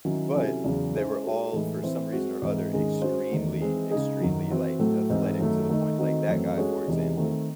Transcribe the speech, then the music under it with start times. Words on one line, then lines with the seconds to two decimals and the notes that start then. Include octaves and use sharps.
But they were all, for some reason or other, extremely, extremely, like, athletic to the point like that guy, for example,
0.05 D#3 F#3 C#4 E4
0.35 C3 F#3 C#4 E4 A4
0.64 E2 C#3 F#3
0.95 G#3 C#4 E4 C5
1.23 G#3 D#4 F#4 A4
1.53 A2 E3 G#3 D#4 A4
1.83 E3 C4 E4 C5
2.12 G#3 C4 F#4
2.42 G#2 E3 C4 D#4
2.72 G#2 D#3 G#3 C#4 G#4
3.02 G#3 C#4 F#4 C5
3.31 E2 D#3 A3
3.61 E3 G#3 C4 D#4
3.91 C#3 G#3 D#4 G#4
4.20 F#2 D#3 F#3
4.49 E3 C4 F#4 C5
4.79 A2 F#3 A3
5.09 G#2 E3 C4 D#4
5.39 F#2 D#3 F#3 A3
5.69 D#3 A3 D#4
5.98 D#3 A3 C4 D#4 F#4
6.28 F#2 E3 A3 C4
6.57 G#3 C#4 F#4 A4 C#5
6.87 E2 C3 E3 G#3 D#4
7.17 D#3 A3 C4 D#4